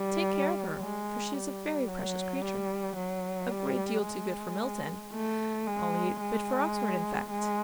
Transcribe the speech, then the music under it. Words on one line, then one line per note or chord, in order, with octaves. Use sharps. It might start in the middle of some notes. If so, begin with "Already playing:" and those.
Take care of her, for she is a very precious creature,--a great deal too good for Milton,--only fit for Oxford, in fact.
Already playing: G3
G#3
G3
F#3
G3
F#3
G3
G#3
A3
G#3
G#3
G#3